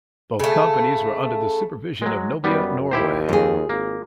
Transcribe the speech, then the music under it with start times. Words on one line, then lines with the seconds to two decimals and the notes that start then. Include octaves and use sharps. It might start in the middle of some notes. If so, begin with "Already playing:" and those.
Both companies were under the supervision of Nobia Norway.
0.40 C#3 A3
2.02 F#3 G#3
2.44 F#2 G3 B3
2.91 D#2 E4 G4 C5
3.29 F2 F4 G#4
3.69 G#1 A#3